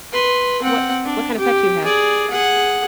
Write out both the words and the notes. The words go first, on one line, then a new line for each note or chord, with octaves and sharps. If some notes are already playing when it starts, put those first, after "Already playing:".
what what kinda pet do you have,
B4 C6
C4 F#5
D4
G4
G#4 D5
G#4 F#5